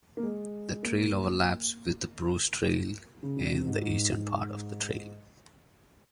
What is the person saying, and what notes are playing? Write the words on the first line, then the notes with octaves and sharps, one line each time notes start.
The trail overlaps with the Bruce Trail in the eastern part of the trail.
A#3
G#3
A#3
C#3
C3
C3
G#2
G#2